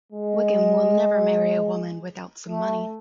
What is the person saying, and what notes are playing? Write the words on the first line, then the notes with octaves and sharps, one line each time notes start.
Wickham will never marry a woman without some money.
G#3
A3